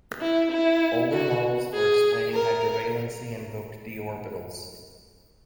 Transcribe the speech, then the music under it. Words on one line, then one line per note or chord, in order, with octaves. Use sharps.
Older models for explaining hypervalency invoked "d" orbitals.
E4
E4
F#4
G#4
A#4